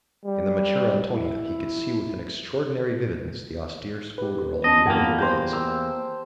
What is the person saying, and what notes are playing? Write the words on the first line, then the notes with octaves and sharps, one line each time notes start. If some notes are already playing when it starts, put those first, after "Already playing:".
In the mature Antonia he could see with an extraordinary vividness the austere schoolgirl of the earlier days.
G3
E4
G4 B4
B3 C#4 D#5 A5
E2 G2 A#3 F#5 G5
G4 C5 G6
E6